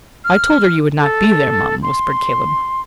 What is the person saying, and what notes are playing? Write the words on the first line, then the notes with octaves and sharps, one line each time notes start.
"I told her you would not be there, mum," whispered Caleb.
F6
A4
C6